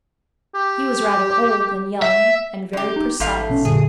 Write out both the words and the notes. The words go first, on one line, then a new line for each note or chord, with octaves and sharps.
He was rather old than young, and very precise.
G4
E5
F#2 G4
D#4
A1 G#2 A3 F5
B2 C#4
F#2 A#2 D3 G#4